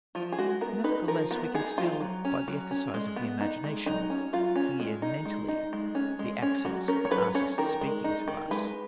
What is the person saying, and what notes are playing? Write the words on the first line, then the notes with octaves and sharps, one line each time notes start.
Nevertheless, we can still, by the exercise of the imagination, hear mentally the accents of the artist speaking to us.
F3 F4
G#4
G#3 F#4
B3 A#4
D#4 B4
F3 A#4
B3 A#4
D#4 G#4
F3 F4
F#3
C#4
F#3
C#4
G#3
B3
D#4
G#3
F#3 D#4
C#4
F#3 F4
C#4
G#3
D#4
G#3
D#4
G#3
C#4
G#3
C#4
F#3 F#4
C#4 A#4
C#5
F#3 B4
C#4 C#5
D#3 A#4
G#3
D#4
D#3
G#3 B4